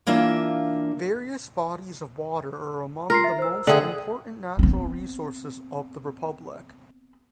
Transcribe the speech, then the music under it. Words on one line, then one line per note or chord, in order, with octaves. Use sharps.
Various bodies of water are among the most important natural resources of the Republic.
E3 A#3 D4 F4 E5
F4 A#4 C6 C7
E5
C5 E6
D3 G#4 E5 G5 F#7
B3 C4